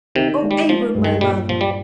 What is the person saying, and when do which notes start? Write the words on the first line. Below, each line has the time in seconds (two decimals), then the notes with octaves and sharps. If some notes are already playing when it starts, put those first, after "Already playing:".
Oh, Abram, my love!
0.15 C3 D#3
0.42 G#3
0.51 G3
0.69 F3 G#3
0.95 G2
1.04 D#3
1.21 A#2 G3
1.48 A#2 F3
1.61 G3